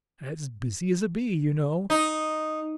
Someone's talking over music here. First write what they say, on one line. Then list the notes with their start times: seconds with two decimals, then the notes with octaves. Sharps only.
'As busy as a bee,' you know.
1.90 D#4